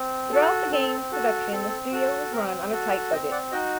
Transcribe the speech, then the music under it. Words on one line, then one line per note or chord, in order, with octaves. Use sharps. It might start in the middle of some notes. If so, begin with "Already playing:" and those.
Throughout the game's production, the studio was run on a tight budget.
Already playing: C4
F#4 A4
C4 A4
F#4 A4
C4 A4
F#4 A4
C4 A#4
F#4 A4
C4 D#5 G5
D5 F#5
D#4 F#4 D#5 G5